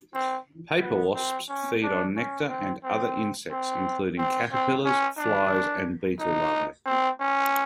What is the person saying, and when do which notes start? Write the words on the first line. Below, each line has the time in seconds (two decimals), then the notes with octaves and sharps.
Paper wasps feed on nectar and other insects, including caterpillars, flies, and beetle larvae.
0.14 C4
0.82 B3
1.14 C4
1.49 C#4
1.83 D4
2.16 C#4
2.49 C4
2.84 C4
3.51 C4
4.18 C4
4.52 C4
4.85 C#4
5.18 D4
6.20 D#4
6.86 C4
7.20 C#4